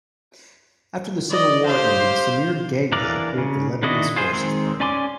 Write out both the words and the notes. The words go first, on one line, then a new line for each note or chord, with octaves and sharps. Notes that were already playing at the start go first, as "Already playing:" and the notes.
After the civil war ended, Samir Geagea created the Lebanese Forces Party.
D5 D#5
G4 C5 F5
E3 D4 A#4 D5 F5
C#3
D#3 D4 E4 F#4 D#5
F4 G#4 C5
D#3 G#3 C4
C#4 D5 G#5 C6 D6